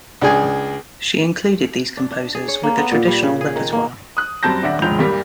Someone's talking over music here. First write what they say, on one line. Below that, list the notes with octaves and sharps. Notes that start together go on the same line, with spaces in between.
She included these composers with the traditional repertoire.
C#2 D4 G#4 G#5
D4
D4
G#4
C#5
A#3
B3
A#2
G3
C#3
G#4
D#3
A#3
D#6 F#6
F#2 G3 C4 A5 G6 A#6
D#1 D4 E5 F#5 A#6
E1 F3 G#3 G6 F7
C2 G2 G3 A#3